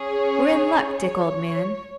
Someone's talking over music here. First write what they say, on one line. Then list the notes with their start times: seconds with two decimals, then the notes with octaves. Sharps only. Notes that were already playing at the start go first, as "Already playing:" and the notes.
We're in luck, Dick, old man.'
Already playing: C#4 G#4
0.09 C#5
0.95 C#5